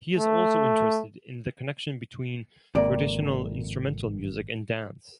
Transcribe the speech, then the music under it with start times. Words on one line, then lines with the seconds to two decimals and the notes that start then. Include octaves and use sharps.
He is also interested in the connection between traditional instrumental music and dance.
0.18 A3
2.75 G#1 F2 C3 A#3 D5